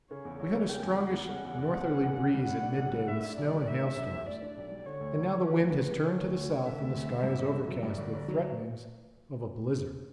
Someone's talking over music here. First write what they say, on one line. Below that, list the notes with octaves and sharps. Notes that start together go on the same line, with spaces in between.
We had a strongish northerly breeze at midday with snow and hail storms, and now the wind has turned to the south and the sky is overcast with threatenings of a blizzard.
C#3 C#5
E2
E2 C#5
G3
C#3 G5
E2
E2 F#5
G3
C#3 F#5
E2
E2
G3
C#3
E2
E2
G3
A2 F#5
D4
B1
G3
A2 E5
D4
B1 D5
G3
A2 E5
D4
B1
G3
A2 D5
D4
B1
G3
D3 C#5
D2
D2
G3
D3 B4
D2
D2
G3
D3 C#5
D2
D2
G3
D3 E5
D2
D2
G3
G2
G1
G1
F#3
G2 D5
G1
G1
F#3